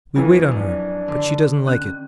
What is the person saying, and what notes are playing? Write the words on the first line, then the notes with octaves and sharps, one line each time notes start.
We wait on her, but she doesn't like it.
F2 E3
F#2 D4
D3
C#4